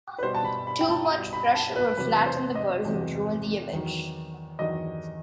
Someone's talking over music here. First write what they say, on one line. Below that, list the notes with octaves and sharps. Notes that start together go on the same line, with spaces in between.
Too much pressure will flatten the burrs and ruin the image.
B4
B2 G3 C5
A5
B5
B5
G5
A5
B2 G3
B5
A5
B4
E2 C3 F#3 B4
C5
D#5
E2 C3 F#3
E2 D#3 F#3
E2 D#3 F#3 D#5